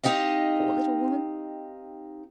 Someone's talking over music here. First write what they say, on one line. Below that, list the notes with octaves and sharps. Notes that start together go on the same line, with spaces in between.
Poor little woman!
C4 D#4 G4 D#5 F5